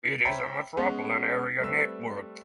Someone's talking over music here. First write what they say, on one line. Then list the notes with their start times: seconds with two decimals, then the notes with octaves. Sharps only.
It is a metropolitan area network.
0.25 C5 C#5 E5 G5 A#5 B5
0.77 G#3 B3 C#4
1.60 G3 A3 C4 B4 E6